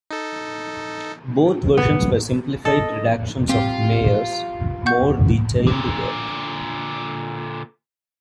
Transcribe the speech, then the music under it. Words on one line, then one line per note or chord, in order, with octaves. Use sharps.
Both versions were simplified redactions of Meyer's more detailed work.
D#4 A4
B3
A4 D#5
C4 F4 G4
F#5 C#6 G6
A#2 D3